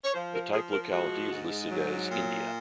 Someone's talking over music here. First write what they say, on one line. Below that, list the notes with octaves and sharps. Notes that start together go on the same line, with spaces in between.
The type locality is listed as "India".
C#5
F3 C5
A#4
F3 G#4
A#4
G#3 F#4
G#2
F#3
A#2